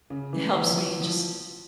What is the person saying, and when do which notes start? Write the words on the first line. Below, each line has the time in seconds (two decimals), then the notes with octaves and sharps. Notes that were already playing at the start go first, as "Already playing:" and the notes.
it helps me just,
0.10 C#3
0.33 E3
0.56 E3
0.66 F3
0.77 E3
1.00 F3